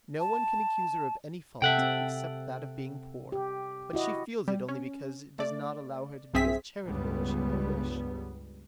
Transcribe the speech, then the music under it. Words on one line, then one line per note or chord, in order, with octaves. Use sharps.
No one can accuse her of any fault, except that of being poor, but she feels it only because it does not allow her to be as charitable as she might wish.
A5
C3 A4 E5 F#5 G5
C4
G4
E4 F#4 D#5
G3
C#4
A3 D5
B1 G2 C4 G#4 E5 B6
C#2 G2 G3 B3